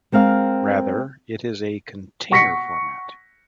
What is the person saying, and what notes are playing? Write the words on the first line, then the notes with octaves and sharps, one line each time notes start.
Rather, it is a container format.
G#3 C4 A#4 F5
F#5 C#6 A#6 B6 C#7